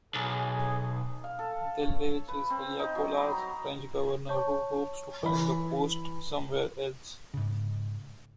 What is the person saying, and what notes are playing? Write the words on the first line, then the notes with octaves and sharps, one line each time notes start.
De Lage is Haleakaloha's French governor, who hopes to find a post somewhere else.
B1 G#4
F5
A4
C#5
B4
C4
D#4
F#3
B5
A#5
C#5 A5 C#6
E3 B5
G#2 C#3